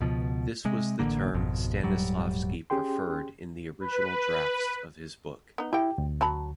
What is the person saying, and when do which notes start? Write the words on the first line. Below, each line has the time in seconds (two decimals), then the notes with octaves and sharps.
This was the term Stanislavsky preferred in the original drafts of his books.
0.01 C#2 B2 F3
0.65 C3 G#3
0.99 A1 D3 A#3
1.34 G#1 F2 B2
1.84 D#1 G#2 F#3 G3
2.70 C#4 G4 G#4 G5 C6
3.80 B4
5.58 B3 D#4
5.73 E4 G4 G5
5.98 D2
6.21 F#3 A5 B5